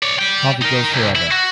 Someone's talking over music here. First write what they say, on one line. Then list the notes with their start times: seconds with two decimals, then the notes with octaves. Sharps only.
Harvey Girls Forever!
0.03 C#5 D5
0.19 D5 G5
0.62 D#4 A#4
0.93 C2
1.16 E4
1.31 F#4